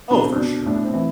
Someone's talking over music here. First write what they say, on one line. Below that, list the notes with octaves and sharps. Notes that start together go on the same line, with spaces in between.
Oh, for sure.
B2 D4
C4
B2 D4
A2 D4
C4
E3